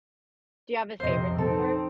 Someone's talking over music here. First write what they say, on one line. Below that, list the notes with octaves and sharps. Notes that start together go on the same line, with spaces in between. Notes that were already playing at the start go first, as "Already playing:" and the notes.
Do you have any favorite sport?
F2 C3 C5 D#5
C4 D#4 A4